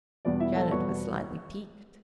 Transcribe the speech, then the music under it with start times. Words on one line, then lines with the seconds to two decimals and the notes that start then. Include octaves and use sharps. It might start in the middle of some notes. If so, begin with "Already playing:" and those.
Janet was slightly piqued.
0.25 E2 B2 G3 B3 D4 D5
0.40 E4 E5
0.55 A4 A5
0.71 E2 B2 G3 B3 C#5 C#6